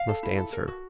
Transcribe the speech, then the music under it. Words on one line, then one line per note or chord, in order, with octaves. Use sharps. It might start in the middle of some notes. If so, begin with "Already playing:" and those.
Must answer.
Already playing: F5
A4
E4
A4
A#4
F#4